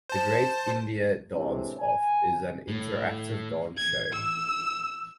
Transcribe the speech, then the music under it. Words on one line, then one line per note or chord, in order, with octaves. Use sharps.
The Great India Dance Off is an interactive dance show.
C5 A5
A2 C3 E3 G#3 C#4 D4
G#5
A2
G#6
E6